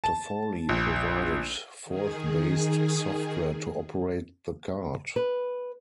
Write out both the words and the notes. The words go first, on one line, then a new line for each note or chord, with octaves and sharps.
Toffoli provided Forth-based software to operate the card.
A5
A#1
D#3 G#4
B4